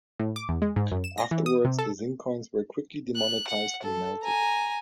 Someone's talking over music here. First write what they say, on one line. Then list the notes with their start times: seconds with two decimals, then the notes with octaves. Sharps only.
Afterwards, the zinc coins were quickly demonetized and melted.
0.20 A2
0.36 D6
0.49 E2
0.62 G#3
0.76 G#2
0.92 F#2
1.04 E7
1.18 A#6
1.31 E3
1.46 D#6
1.65 C3
1.79 A4
3.15 F#6
3.47 F#5
3.82 A4
4.22 G#5 A#5